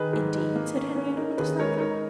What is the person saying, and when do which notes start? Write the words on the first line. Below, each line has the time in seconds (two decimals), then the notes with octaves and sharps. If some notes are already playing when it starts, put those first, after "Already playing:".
"Indeed?" said Henriette, with a slight frown.
Already playing: D#3 D#4 G#4 B4
0.13 G#2
0.34 D#4
0.55 A#3
0.75 C#4
0.96 C#4
1.17 D#4 A#4
1.38 D#2 G#4 B4
1.59 G#3 A#4 C#5
1.79 D#4 A#4 C#5